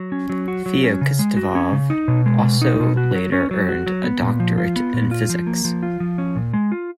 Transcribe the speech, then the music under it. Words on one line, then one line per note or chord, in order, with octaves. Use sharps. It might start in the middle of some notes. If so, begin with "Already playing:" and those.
Feoktistov also later earned a doctorate in physics.
Already playing: F#3
C#4
F#3
F#4
F#3
C#4
C#3
G#3
F#4
C#4
C#3
D#4
B2
G#3
B2
D#4
B2
F#4
F#3
C#4
F#3
F#4
F#3
B3
A#2
F3
F4
B3
A#2
F4
F3
A#3
F3
F4
F3
C#4
A#2
G#3
F4